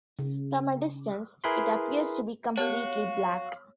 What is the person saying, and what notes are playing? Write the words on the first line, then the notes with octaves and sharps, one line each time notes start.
From a distance, it appears to be completely black.
C#3
E4 G#4 A#4 B4 B5 C6
B3 F#4 G4 A#4 C#5 F5